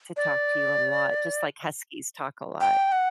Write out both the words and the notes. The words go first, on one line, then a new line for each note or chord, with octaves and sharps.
to talk to you a lot, just like Huskies talk a lot.
D5
G5
F#5